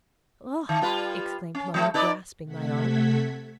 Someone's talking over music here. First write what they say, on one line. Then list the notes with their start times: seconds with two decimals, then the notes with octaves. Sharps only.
"Oh!" exclaimed mother, grasping my arm.
0.69 D#3
0.82 G3 F4 B4
1.55 C#4
1.74 F3 A3
1.94 D#4 B4 D5
2.43 C3 A3 A4 F#5 G#6 B6